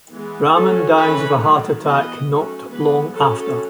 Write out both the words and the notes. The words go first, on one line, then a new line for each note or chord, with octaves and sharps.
Ramon dies of a heart attack not long after.
E3 G#3 B3
F#3 A3 C#4 A4
E3 A3 C#4 B4
D#3 F#3 A3
E3 B3 D#5
F#3 A3 C#4
E3 G#3 B3 B4
F#3 A3 C#4 A4